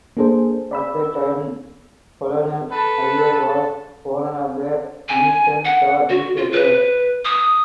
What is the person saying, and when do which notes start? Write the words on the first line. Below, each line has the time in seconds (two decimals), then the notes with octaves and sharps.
At that time Colonel Ayers was owner of the Anniston Star newspaper.
0.17 A#3 D4 G#4 A4 C5
0.71 D5 B5 E6
2.72 A4 B4 A5
5.09 G#5
5.65 F#5
6.09 F#4
6.37 F4
6.52 B4
7.25 D#6